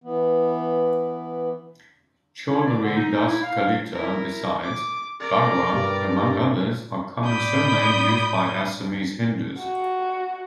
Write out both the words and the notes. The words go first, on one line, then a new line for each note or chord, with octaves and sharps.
Chaudhary, Das, Kalita besides, Barua, among others are common surnames used by Assamese Hindus.
E3 B3
E4
D5
D3
D#4
E4
F5
E4 A#4
D6
A#4 D5
G2
A2 D5 B5 D#6 G6
F#4